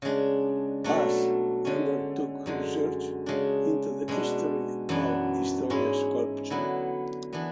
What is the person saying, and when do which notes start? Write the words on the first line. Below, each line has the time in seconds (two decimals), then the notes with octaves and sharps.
Paas undertook research into the history of Estonian sculpture.
0.02 C#3 G#3 D4
0.84 B2 F#3 A3 D4
1.65 D3 G#3 C#4
2.46 F#2 D3 G#3
3.26 C#3 G#3 D4
4.08 B2 G#3 D4
4.89 F#2 E3 B3 D4
5.70 G#2 G#3 C#4 E4
6.50 D3 F#3 B3 E4
7.33 E3 B3 D4